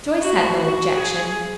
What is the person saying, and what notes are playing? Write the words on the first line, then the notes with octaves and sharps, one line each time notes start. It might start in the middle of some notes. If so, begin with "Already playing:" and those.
Joyce had no objection.
F#4
F#4
G#4